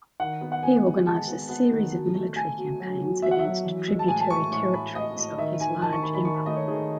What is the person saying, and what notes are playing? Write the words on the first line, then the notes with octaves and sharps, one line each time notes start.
He organised a series of military campaigns against tributary territories of his large empire.
D#3 F#5
B3
F#5
B3 G#5
G#3
G#3 A5
B3
B3
D#3
B2
A3
A3 G#5
B2
F#3
B2
B2 E5
F#5
E5
F#3
E3
G#3
A5
A2 G#5
A5
A2 C#6
A2 C#6
A2 B5
A2 D#5
A2
D#3 E5
D#3 G#5
D#3 A5
C#6
D#3 B5
B5
D#3 C#6
B5
A3 D#5
C#5
D#3 G#4